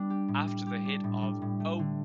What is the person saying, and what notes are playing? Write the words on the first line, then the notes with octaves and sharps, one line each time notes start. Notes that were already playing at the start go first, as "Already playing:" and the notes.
After the hit of Oh!
Already playing: G3 B3 D4
G4
A2
G3
G4
D4
A2
G3
A2
A3
D3